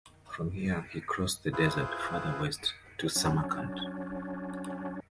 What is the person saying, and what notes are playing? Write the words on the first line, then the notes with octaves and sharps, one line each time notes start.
From here, he crossed the desert further west to Samarkand.
E4 F4 G#4 B4 C5
F#3 C#4 D4